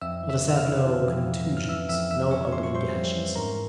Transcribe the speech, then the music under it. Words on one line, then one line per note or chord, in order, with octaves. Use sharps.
Let us have no contusions, no ugly gashes.
F2 E5 E6
E3
E5 E6
E3 E6
F5 F6
E3
E3
F2
F2
C#4
F6
E3 E5 E6
F2 E5 E6
F2 E5 E6
C#4 C#5 C#6
F2 C6
C#6
G3 C5 C6
F2
E3
G#2 A#4 A#5